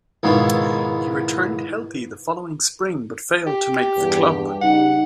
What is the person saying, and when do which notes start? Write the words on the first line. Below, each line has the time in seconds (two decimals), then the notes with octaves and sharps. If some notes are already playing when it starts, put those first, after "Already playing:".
He returned healthy the following Spring, but failed to make the club.
0.23 C#2 G#2 B2 D#3 E4
3.47 G4
3.97 E2 G2
4.61 C#3 G3 D#4 F#5